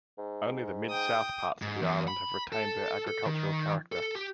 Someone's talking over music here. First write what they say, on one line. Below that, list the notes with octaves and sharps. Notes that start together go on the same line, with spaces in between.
Only the mid-south parts of the island have retained their agricultural character.
G#2
G5 D#6
G#2
E2
B5
A4
A4
D#3
A4
G4